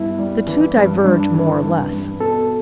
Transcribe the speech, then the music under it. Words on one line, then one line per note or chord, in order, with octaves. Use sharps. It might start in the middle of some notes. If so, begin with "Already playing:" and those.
The two diverge more or less.
Already playing: G2 B3 E4
G3
E3
G2
G2 D4
E3
G2
G2
B2 A4